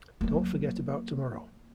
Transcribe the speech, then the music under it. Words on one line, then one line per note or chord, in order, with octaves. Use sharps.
Don't forget about tomorrow.
F#3 A#3